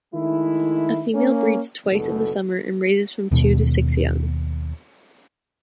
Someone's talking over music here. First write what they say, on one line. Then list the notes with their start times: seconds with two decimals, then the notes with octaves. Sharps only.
A female breeds twice in the summer, and raises from two to six young.
0.14 D#3 G#3 A3 E4
1.14 A#3 C#4
1.92 F#1 D2 B2 A4
3.31 D#2 B2